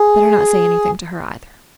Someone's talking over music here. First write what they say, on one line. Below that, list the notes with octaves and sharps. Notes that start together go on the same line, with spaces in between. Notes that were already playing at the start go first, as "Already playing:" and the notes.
"Better not say anything to her either."
Already playing: G#4